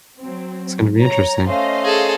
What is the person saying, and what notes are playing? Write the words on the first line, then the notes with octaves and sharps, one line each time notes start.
It's gonna be interesting.
F#3 C4
C#5 A#5
A3 C#4 C5 D#5 F5
G#4 A4